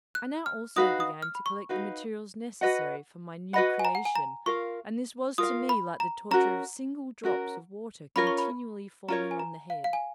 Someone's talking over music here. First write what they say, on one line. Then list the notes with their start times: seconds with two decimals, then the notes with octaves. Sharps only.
I now also began to collect the materials necessary for my new creation, and this was to me like the torture of single drops of water continually falling on the head.
0.15 F#6
0.46 F6
0.76 D#4 F#4 B4 F5 D#6
1.00 D#6
1.22 F6
1.35 B5
1.46 C#6
1.69 D#4 F#4 B4 F5
2.61 F#4 B4 D#5 F#5
3.53 F#4 B4 D#5 F#5 B5
3.79 G#5
3.85 A#5
3.95 F#5
4.05 G#5
4.16 A#5
4.46 F4 A#4 F5 C#6
5.38 F4 A#4 F5 D#6
5.69 B5
6.00 A#5
6.31 C#4 F#4 A#4 A#5
7.23 C#4 F#4 A#4
8.16 C#4 F4 A#4 C#5 B5
8.27 C#6
8.38 B5
9.08 C#4 F4 A#4 C#5 A#5
9.31 G#5
9.39 A#5
9.70 F5
9.84 F5
9.93 G#5